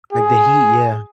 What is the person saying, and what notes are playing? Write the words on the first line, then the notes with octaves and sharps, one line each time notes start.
Like the heat, yeah.
G#4